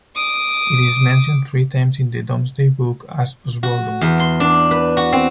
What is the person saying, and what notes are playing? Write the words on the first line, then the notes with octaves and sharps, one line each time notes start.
It is mentioned three times in the "Domesday Book" as "Osboldewic".
D6 D#6
F#4
E2
C6
D4
B4
F#4
C4